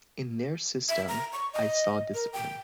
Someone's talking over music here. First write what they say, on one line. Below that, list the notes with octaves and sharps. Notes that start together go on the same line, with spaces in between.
In their system, I saw discipline.
E5
A#5
C#6
D#5
A#4
G5